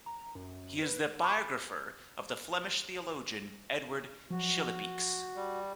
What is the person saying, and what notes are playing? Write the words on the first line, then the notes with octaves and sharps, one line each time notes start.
He is the biographer of the Flemish theologian Edward Schillebeeckx.
A#5
F#2
B4
B5 C#6 D6
F3 F#3 F#4
G3